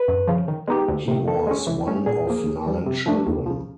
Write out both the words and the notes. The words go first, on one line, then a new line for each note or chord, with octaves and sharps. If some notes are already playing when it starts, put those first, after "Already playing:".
He was one of nine children.
Already playing: B4
F#2
C#3 F3
D#3
G#3 B3 D#4 G4
D2
C3 D#3
D#3 A4
G#3 C#4
E3
A3 C#4
A#2 G#4
F3 A#3
D#2
D#3 G3
C3
F3 A3 D4
D#2
C#3 F3